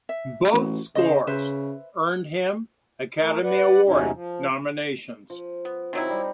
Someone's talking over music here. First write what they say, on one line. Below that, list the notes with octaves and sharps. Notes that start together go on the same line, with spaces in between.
Both scores earned him Academy Award nominations.
E5
A1 F#4
C#3 C5 D#5
C#3 B4 C5 E5
A3 A#4
B4 D5 F#5
E2 C3 F#3 C#4 D#4 E4
F3
F3
B3
D#3 F#3 C4 D#4 E4
G3 C4